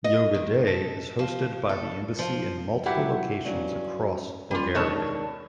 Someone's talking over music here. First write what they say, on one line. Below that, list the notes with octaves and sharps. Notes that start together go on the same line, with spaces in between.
Yoga Day is hosted by the embassy in multiple locations across Bulgaria.
D#5
D#3
A4
F3
A4
F3
F#3 E4 G4 F#5
G2 F#3 C#4
G3 C#4 F4
B2 D#3 G#3 D4 C#5 A5